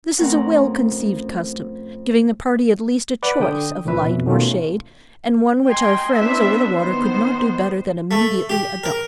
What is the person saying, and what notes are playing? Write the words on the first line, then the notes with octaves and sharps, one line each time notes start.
This is a well-conceived custom, giving the party at least a choice of light or shade, and one which our friends over the water could not do better than immediately adopt.
F2 A3 C4 C#4 A#4 F#5
B4 D5 F#5 B5
D3 G5 D#6
C#2 A#2 E3 C#4 B4 E5
F2 B2
B2 D#3 A3 C#4 F4
D#5 G5 G#5 A#5 C6
B3 C4 D4 E4 C5 E5
D#3 B3 C5
A3
G4
A#4